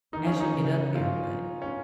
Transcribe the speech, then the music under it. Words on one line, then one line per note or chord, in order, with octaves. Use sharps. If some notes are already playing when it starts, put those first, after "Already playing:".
as you get up there, but,
D#3 D#4
C#4
D#4
C#3
G2 F4
C#4